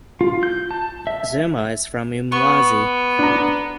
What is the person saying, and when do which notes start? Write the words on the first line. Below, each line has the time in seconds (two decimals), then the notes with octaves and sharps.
Zuma is from Umlazi.
0.21 F4
0.43 G6
0.71 A5
1.07 E5
2.32 B3 C#6
3.19 D4 A#5